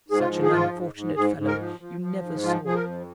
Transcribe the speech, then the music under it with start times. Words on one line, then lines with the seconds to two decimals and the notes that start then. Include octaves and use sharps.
Such an unfortunate fellow you never saw.
0.08 G#2 G#4
0.19 F4
0.30 F3
0.42 G#4
0.51 G#2 F4
0.73 G#2
0.94 G#2
1.16 G#2 G#4
1.37 G#2
1.47 A#4
1.58 F3
1.80 F3
2.01 F3
2.22 G#2
2.43 F3 F4
2.65 F3 G#4
2.75 A#4
2.85 F2